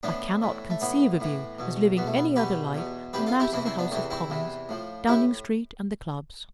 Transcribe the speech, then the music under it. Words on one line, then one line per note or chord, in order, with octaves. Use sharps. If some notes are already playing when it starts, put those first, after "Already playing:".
I cannot conceive of you as living any other life than that of the House of Commons, Downing Street, and the clubs.
A2 E3 B3 D4
A2 E3
A3
A2 E3 B3
A2 E3
E2 B2
E2 B2 B3
A3
B3
E2 B2 G4 B4
E2 B2
E2 C3 E3 G4 B4
F4 A4
E4 G4
E2 C3 E3 C4 E4
C4 E4
B3 D4
E2 C3 E3 A3 C4
C4 E4
E2 C3 E3
A2 F3
A2 E4 G4